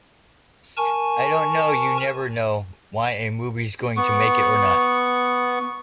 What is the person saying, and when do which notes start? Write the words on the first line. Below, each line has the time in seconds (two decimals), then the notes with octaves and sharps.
I don't know-you never know why a movie's going to make it or not.
0.77 A#4 G#5 A5 C#6
3.97 B3 C#6